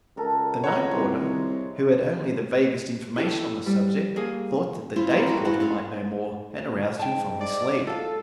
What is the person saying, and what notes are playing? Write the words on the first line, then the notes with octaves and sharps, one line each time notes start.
The night porter, who had only the vaguest information on the subject, thought that the day porter might know more, and aroused him from his sleep.
C#2 A4 A#4
G#3 B3 C#5 E5 A#5
C2 C5
E4 G4 A4
G3
A#3 G#4
C#4 E4 F4 C5
E3 A#3 E4 D5
G3 F#4 A4 D#5
E4 C5 F5 F#5
C#4 G#4 A4
G#2 G5 A5
D5
F4 A4 F5